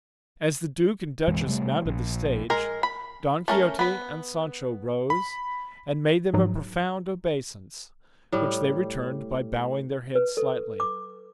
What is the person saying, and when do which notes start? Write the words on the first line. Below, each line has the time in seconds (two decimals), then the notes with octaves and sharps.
As the duke and duchess mounted the stage Don Quixote and Sancho rose and made them a profound obeisance, which they returned by bowing their heads slightly.
1.27 B1 F#2 E3 G#3
1.47 C3 G3 A3
1.85 A#1
2.50 G#3 A#4
2.83 B5
3.48 A3 C#4 A#4
3.79 B3 B5
5.10 B5
6.34 G#2 F3 F#3
8.32 A2 G3
10.15 B4
10.37 A4
10.80 D6